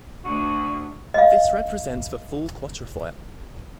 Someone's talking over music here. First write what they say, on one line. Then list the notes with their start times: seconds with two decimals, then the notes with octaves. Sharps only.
This represents the full quatrefoil.
0.25 D2 F#4
1.14 D#5 F5